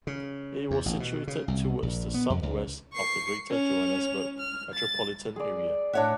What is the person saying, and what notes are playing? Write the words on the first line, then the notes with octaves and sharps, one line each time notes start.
It was situated towards the south west of the Greater Johannesburg Metropolitan Area.
C#3
E2
A1
B2
C#3
C2
A#1
B3
F2
C#2
C#6 C7
C#4 F7
F6
A6
G#4 D5
A2 D4 C#5 E5 F#5